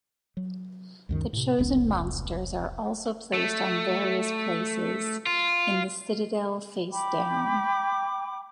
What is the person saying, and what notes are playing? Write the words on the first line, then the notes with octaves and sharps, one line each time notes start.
The chosen monsters are also placed on various places in the Citadel facedown.
F#3
C#2 F#2 D#3
A2 C3
E1 C2 B3 C#4
A3
F4
G5 B5 D6